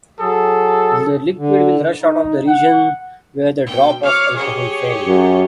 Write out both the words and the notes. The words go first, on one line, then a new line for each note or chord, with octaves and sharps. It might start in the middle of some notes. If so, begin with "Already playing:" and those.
The liquid will rush out of the region where the drop of alcohol fell.
F#3 G#4 A4
D3
D#4
F#5
B2 G5
C#5 F5 D6
G4 G#4 C#5
F#2